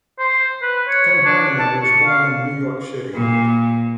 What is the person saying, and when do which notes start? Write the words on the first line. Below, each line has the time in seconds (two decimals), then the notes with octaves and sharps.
Campagna was born in New York City.
0.19 C5
0.62 B4
0.88 C#5
1.26 D4
1.59 A5
1.82 C#6
2.06 F5
3.14 A#2